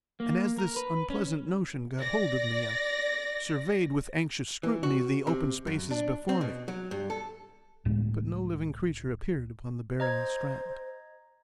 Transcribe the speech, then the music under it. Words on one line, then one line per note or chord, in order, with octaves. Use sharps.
And as this unpleasant notion got hold of me, I surveyed with anxious scrutiny the open spaces before me; but no living creature appeared upon the barren strand.
A#3
A#4
B4
C#4
D5 A#6
E3
F#4
C3
F#2
D4
C4
B2
F#3
G2
A4
C#2 A2 G#3
C5 D#5 A#5 G#6